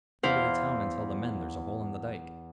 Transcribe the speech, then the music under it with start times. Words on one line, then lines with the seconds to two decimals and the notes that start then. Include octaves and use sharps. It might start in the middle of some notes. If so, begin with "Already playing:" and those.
Go to the town and tell the men there's a hole in the dike.
0.23 E2 E4 C5 F5